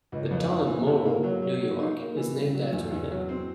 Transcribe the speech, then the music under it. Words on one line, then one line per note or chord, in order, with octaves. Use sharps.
The town of Moreau, New York is named after him.
C#2
F2
E3
E3
C3
A#3
F#3
F#3
F#3
D#4
A#3
E3
G3
F#3
E2
E2
F#3
C4